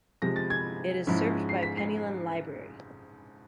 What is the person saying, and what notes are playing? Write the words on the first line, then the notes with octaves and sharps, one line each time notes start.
It is served by Penylan Library.
C3 F3 G#3 A#6
A6
G#6
G#2 F3 G#3 C#4 E4
C7
B6
C7